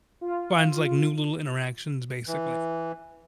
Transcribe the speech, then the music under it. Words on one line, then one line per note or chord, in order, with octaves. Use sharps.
finds, like, new little interactions, basically.
F4
E3